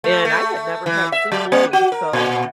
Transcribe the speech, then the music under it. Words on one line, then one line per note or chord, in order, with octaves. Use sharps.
and I had never had souffle, so,
A3
A3
E3
E5
F#3
A#3
F#4
A#4
A#2